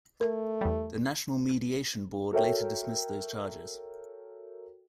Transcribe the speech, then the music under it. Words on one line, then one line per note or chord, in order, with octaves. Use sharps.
The National Mediation Board later dismissed those charges.
A3 A#4
E2 G3
F#4 A4 A#4 C#5 E5 G5